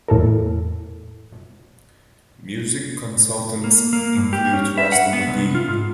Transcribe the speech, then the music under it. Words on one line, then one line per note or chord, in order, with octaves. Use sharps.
Music consultants include Rusty Magee.
E2 A2 A4 A#4
A#3
A#3
G2
G4
C#4
E5
F#5
B3
C2
F4
G#2